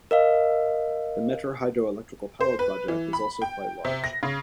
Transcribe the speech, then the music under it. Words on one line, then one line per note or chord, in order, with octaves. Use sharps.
The Mettur Hydro Electrical power project is also quite large.
A#4 D#5 F5
C5
B4
E3
B5
G5
C3
A#6
C#3